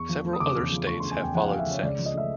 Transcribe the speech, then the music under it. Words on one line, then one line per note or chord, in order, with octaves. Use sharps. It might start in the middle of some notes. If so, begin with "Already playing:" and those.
Several other states have followed since.
Already playing: E2 C#6
F3
A3
D#6
C#3 D6
E2
F3
A3 C#6
C#3 C6
G#5
E2 G5
F3 F#5
A3 F5
E5
C#3 C#5
C#2 D5
F3
D#5
A3 E5